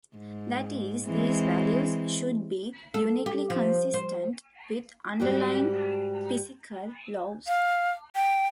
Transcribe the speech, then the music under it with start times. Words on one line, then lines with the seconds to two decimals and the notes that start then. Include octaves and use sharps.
That is, these values should be uniquely consistent with underlying physical laws.
0.17 G#2
1.06 E3 G#3 C4
2.94 A4
3.26 G4
3.50 F3
3.94 C5
5.20 G#2 G3 F#4 G4
7.47 F5
8.15 G5